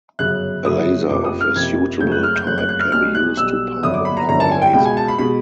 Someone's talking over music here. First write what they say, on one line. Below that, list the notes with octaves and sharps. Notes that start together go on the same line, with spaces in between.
A laser of a suitable type can be used to pump another laser.
G1 F#2 C#3 F#6
G1 F#2 C#3 D#6
F#1 F2 C3 F3 D6
D#6
F6
F#1 F2 C3 F3 G#6
F#1 F2 C#3 F#3 A3 G6
F#6
F6
G6
F#1 F2 C#3 F#3 A3 F#6
F#6
F#6
F6
B1 B2 G3 F6
F#6
B1 B2 G3 E6
G1 F2 D3 F#3 D#6
D6
B5
A#5
G1 F2 D3 F#3 A#5
A5
G#5
G5
C#2 B2 G#3 G5
G#5
A5
B5
B2 G#3 B5